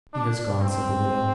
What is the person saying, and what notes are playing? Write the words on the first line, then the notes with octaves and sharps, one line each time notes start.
"He has gone," said the widow.
D4
C4